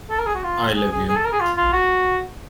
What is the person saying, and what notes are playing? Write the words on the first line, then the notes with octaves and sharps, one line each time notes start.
I Love You.
A4
A#4
G#4
F#4
F4
G#4
G#4
G#4
A4
A#4
G#4
F4
F4
F#4